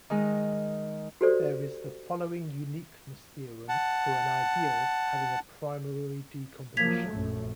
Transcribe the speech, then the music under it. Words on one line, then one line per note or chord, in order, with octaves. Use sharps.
There is the following uniqueness theorem for an ideal having a primary decomposition.
D#3 G#3
F#4 G4 A4 C5 D5
F#5 A5
F3 F#3 A#3 G#6 B6 F7
A#1 F#2 A3